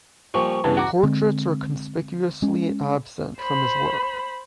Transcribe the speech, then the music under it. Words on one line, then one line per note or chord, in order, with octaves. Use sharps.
Portraits are conspicuously absent from his work.
A#2 F3 G3 C#6
E2 G2 C#3 E3 A5
F#4 F#5 A#5 D6
D3 G#3 C4
G#3 C#4
C5 B5